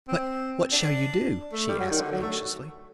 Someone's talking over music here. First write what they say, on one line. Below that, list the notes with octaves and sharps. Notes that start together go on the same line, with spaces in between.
"But--what shall you do?" she asked anxiously.
C4
D4
A3
G3
F#3
D#3
D3
F#3
A3